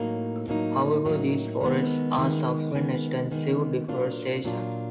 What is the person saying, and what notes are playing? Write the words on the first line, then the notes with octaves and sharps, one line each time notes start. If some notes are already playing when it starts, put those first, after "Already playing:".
However, these forests are suffering extensive deforestation.
Already playing: A2 F#3 A#3 D#4
A2 F#3 A#3 D#4
A2 F#3 A#3 D#4
D#3 G#3 B3
D#3 G#3 B3
D#3 G#3 B3
D#3 G#3 B3
A#2 F#3 A#3 D4 F4
A#2 F#3 A#3 D4 F4